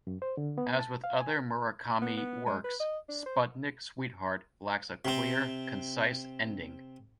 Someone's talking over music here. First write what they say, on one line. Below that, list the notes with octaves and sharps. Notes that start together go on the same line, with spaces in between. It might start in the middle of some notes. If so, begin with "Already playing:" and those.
As with other Murakami works, Sputnik Sweetheart lacks a clear, concise ending.
F#2
C5
D3
B3
A5
F5
G#5
B3
B3
G#3
B4
D#5
D4
C5
C3 C4